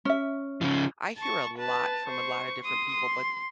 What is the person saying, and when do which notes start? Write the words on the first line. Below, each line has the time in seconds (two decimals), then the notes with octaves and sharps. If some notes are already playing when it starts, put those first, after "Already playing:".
I hear a lot from a lotta different people, but
0.05 C#4 E5
0.61 C#3 F3
1.18 A5 C#6
1.58 B4 A5
2.07 C5 C#6
2.62 C6 D#6
2.95 C6